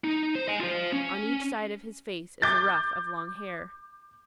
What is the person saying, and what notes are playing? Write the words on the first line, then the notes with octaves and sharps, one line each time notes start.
On each side of his face is a ruff of long hair.
D#4
C5
D#5 G#5
F4 C5
C#4
D6 G6 A6